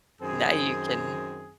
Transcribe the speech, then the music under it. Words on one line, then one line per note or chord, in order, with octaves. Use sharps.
Now you can
F#2 D#3 C4 G#4